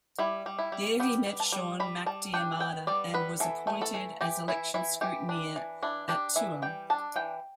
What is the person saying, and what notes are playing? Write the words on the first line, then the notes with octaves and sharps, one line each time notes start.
There he met Sean MacDiarmada and was appointed as election scrutineer at Tuam.
G3 E4
G3
E4
G3
B3 G4
G3
A5
G3
G3 B5
G3 A5
D4 G5
B3 G5
G3 D5
B3 B4
E3 A4
A3
A4
E3
E3 G4
E3 E4
E3 E4
E3 G4
D4
E3
D4 E4
D4 G4
E3 E5
G3 G5
D4 A5
E3 G5